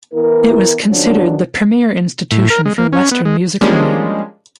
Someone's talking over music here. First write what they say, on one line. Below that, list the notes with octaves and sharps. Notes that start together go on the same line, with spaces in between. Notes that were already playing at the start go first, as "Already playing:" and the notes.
It was considered the premiere institution for western music learning.
E3 B3 E4 A#4
E2 D#3 F3 F#3 C#4 D4
A2
A#4
G#3
A#3
C#4
B3
G#3
F3 G3 G#3 A#3 C#4 D4